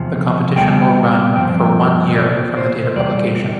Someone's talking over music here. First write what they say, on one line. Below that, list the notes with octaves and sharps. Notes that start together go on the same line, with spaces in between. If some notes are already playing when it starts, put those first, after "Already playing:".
The competition will run for one year from the date of publication.
Already playing: E2 C3 F3
C3 G3 B3 G5
G2 F3 C4 G5
E2 C3 D5
C5
E2 C3 G3 D5